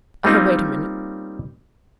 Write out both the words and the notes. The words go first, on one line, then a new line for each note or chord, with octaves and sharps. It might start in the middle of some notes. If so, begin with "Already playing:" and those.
'Oh, wait a minute.
G3 A#3 C4 C#4 D#4 F4